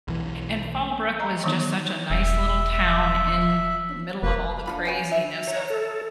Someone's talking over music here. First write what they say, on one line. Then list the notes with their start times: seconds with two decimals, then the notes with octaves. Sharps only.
and Fallbrook was just such a nice little town in the middle of all the craziness of
0.08 B1 E3
1.19 D#5 A#5
1.44 D#3 E3 F#3 B3 D#4
2.10 E1 E5
2.73 E5
4.23 F#1 A#3 B4
4.66 D3 F4 B5
4.85 B3 C#4 F#4
5.12 E5
5.47 C#5 A#5
5.70 A4